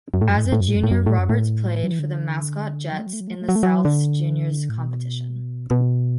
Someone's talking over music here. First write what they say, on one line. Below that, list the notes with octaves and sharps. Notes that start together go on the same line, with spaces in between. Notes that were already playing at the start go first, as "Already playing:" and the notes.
As a junior Roberts played for the Mascot Jets in the Souths juniors competition.
F#2
A2
F#2
A2
F#2
A2
F#2
A2
F#2
A2
F#2
A2
F#2
A2
F#3
E3
D3
F#3
A3
F#3
A3
F#3
A3
F#3
A3
F#3
A3
F#3
D3
A2
B2
B2